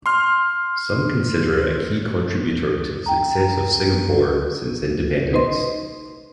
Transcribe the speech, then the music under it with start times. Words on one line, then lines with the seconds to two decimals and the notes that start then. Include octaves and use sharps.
Some consider it a key contributor to the success of Singapore since independence.
0.06 C6 F6
3.06 G5 A#5
5.33 D#4 B4 C5 D#5 C6